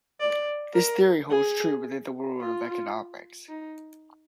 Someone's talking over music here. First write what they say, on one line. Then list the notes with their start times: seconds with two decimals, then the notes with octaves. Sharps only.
This theory holds true within the world of economics.
0.20 D5
0.75 A#4
1.30 G#4
2.40 F4
3.49 D#4